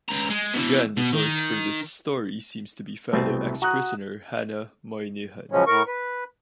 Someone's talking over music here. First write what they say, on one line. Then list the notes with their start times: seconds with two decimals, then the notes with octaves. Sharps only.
Again the source for this story seems to be fellow ex-prisoner Hanna Moynihan.
0.08 C#2 A#5
0.30 G#3
0.53 B2 E3
0.97 B2
1.13 D#3
3.13 C2 B2 A3 C4
3.62 F#4 A#5 D#6 F#6
5.52 C#3 F3 F#3 G#3 C#4
5.67 A2 A#4 C#6
5.87 B4